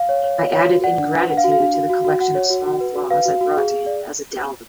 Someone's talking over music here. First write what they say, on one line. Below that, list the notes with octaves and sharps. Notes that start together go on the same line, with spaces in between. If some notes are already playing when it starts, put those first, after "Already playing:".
I added ingratitude to the collection of small flaws I brought to him as a dowry.
Already playing: F5
C#5
C#5
C#5
C#5
F#4
D5 F#5
D4
B4
D4 F#5
F5
F#4
F5
D4
F#4
F#4
F#4
F#4 F#5
C#5
F#4
F#4
B4
F#4
B4 F5
F#4
F#4
G#4
G#4
D5